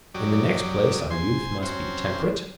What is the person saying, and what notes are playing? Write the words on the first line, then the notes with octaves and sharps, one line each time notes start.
In the next place our youth must be temperate?
F#2 F#3 G4 D5 D#5
C5 G#5 C6
F#3 C4 C#4 C5